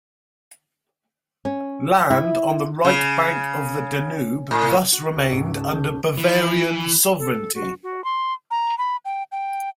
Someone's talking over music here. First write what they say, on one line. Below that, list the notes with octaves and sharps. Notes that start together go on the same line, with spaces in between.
Land on the right bank of the Danube thus remained under Bavarian sovereignty.
C#4
E4
C#3
A2
F#4
C#2
G#2
A5
G6
E3
A4
F#4
F#4
C6
A#5
B5
G5
G5